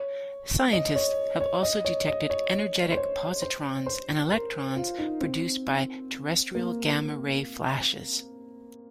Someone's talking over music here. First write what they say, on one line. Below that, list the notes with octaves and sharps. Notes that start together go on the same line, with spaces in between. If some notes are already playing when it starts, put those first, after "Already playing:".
Scientists have also detected energetic positrons and electrons produced by terrestrial gamma-ray flashes.
Already playing: C#5
D#5
C#5
C#5
D#5
C#5
D#5
C#5
D#5
C5
C#5
C5
C5
A#4
F4
D#4
C4
A#3